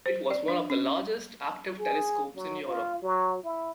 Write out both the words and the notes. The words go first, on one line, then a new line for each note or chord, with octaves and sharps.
It was one of the largest active telescopes in Europe.
C5
D5
D4
C#4
G#4
F#3
F4
F#3
E4